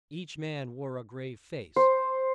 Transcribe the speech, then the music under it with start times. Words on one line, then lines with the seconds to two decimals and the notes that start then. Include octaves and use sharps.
Each man wore a grave face.
1.76 C5